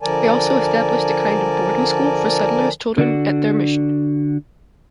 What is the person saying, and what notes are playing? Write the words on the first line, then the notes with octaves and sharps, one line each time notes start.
They also established a kind of boarding school for settlers' children at their mission.
D3 F3 A#4 D5 G#5 A5
D3 D4 F#4